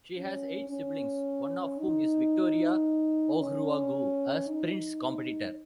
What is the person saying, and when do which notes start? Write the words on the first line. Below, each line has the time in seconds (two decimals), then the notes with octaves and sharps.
She has eight siblings, one of whom is Victoria Ohuruogu, a sprints competitor.
0.16 C#4
0.69 C#4
1.79 D#4
3.40 C#4
4.48 D#4